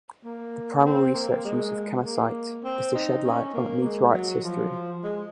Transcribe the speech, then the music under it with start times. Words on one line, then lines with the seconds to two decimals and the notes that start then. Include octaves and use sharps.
The primary research use of kamacite is to shed light on a meteorite's history.
0.25 A#3
0.86 C4
1.14 A#3
1.45 G#3
2.05 A#3
2.64 C4
2.95 D#4
3.24 C#4
3.54 A#3
3.83 G#3
4.13 F#3
4.43 F3
5.04 G#3